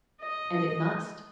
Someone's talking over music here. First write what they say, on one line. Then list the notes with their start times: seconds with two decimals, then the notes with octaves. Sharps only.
And it must.
0.21 D#5